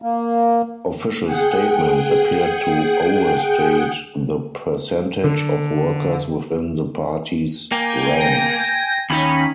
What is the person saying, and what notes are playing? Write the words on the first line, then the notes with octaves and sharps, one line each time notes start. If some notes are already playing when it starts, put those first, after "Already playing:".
Official statements appeared to overstate the percentage of workers within the party's ranks.
A#3
G#4 F#5 G5
D3
A#3 G5 G#5
A#6
D#2 C#4 D#4 B5